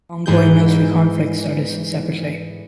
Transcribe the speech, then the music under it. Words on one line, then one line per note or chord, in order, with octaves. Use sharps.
Ongoing military conflicts are listed separately.
G#2 E3 G#4 G6